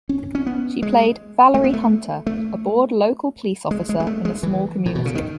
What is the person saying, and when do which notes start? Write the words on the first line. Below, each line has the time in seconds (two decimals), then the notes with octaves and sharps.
She played "Valerie Hunter", a bored local police officer in a small community.
0.09 C#4
0.35 C#4
0.46 B3
0.82 G#3
1.54 A3
1.64 B3
1.73 A3
2.27 A3
3.71 G#3
3.89 G#3
4.00 G#3
4.07 A3
4.25 G#3
4.43 E3
4.86 A2
4.95 B2
5.05 C#3
5.15 D#3